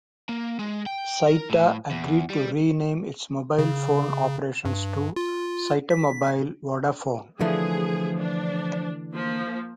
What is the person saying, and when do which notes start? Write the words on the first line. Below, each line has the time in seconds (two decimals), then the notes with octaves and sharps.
Cyta agreed to rename its mobile phone operations to Cytamobile-Vodafone.
0.29 A#3
0.59 G#3
0.86 G5
1.27 A#4
1.50 A2
1.91 E2
2.30 G3
3.59 C#3
4.65 G2
5.16 F4
5.90 B6
7.41 D3 E3 F3 A3 G#4
8.19 D4
9.13 F3 A#3